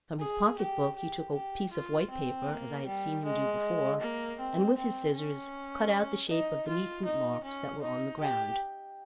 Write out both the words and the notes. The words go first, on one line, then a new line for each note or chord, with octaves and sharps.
From his pocket-book he took a piece of white paper as I had seen him do before, and with his scissors, cut out the shape of the neat bootmarks that were on the ground.
G#4
G4
G4
G4
F4
C4
A#3
G3
G#3
A#3
C4
C4
C#4
D#4
F4
D#4
C#4
D#4
G4